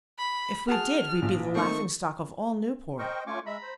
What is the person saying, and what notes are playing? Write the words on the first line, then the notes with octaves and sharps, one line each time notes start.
If we did we'd be the laughing-stock of all Newport.
B5
F#4 G#4 A5 F6
A#1 F4
D#3 A3 A#3 C4 D#4 C#6
A#4 C5 D#5 G5 C#6
A3 C#4 F4 G#5 C#6 D6
G#3 E5 A#5 B5
C5